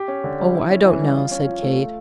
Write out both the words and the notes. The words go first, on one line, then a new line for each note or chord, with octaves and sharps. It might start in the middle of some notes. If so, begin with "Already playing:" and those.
"Oh, I don't know," said Kate.
Already playing: G4
C#4
D3
G3
E4
C#4
E3
G3
F4
C#4
F3
A3
F4